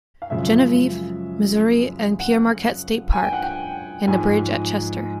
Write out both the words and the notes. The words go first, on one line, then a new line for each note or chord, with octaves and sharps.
Genevieve, Missouri and Pere Marquette State Park, and a bridge at Chester.
F5
F#2 C#3 F3 G#3 E5
F#5
G#5
G5
F#5
G5
G#2 F3 G#3 G#5